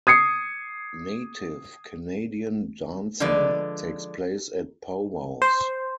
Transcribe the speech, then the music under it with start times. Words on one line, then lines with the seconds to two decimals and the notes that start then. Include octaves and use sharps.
Native Canadian dancing takes place at pow wows.
0.07 D#6 G#6 C7 C#7
3.20 D3 F3 G#3 B4 D5
5.42 C5